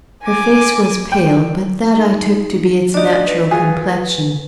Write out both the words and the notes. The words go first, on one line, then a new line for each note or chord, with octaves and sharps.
Her face was pale, but that I took to be its natural complexion.
G#5 D6
G5
D#4
D4 D#4 F#4 D5
B4
F4 F#4 G#4